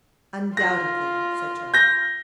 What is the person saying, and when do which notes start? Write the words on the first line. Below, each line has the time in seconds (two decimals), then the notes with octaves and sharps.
"Undoubtedly," said Charles.
0.57 F4 A#6
1.74 G6 A#6